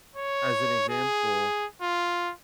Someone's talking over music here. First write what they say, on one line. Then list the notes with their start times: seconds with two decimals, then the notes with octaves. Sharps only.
as an example
0.16 C#5
0.89 G#4
1.82 F4